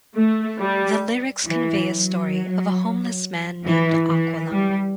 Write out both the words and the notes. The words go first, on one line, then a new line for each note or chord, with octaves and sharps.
The lyrics convey a story of a homeless man named Aqualung.
A3
G3
E3
F#3
E3
E3
G3